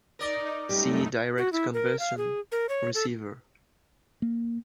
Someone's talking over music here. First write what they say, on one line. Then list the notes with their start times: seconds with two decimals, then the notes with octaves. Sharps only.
See direct conversion receiver.
0.19 D#4 A#4 D5 D#5
0.69 F#2 G3 A3 D#4 G4
1.38 F#4
1.53 E4
1.74 A#4
1.99 F5
2.17 G#4
2.52 A#4
2.69 C#5
2.95 A4
4.22 A#3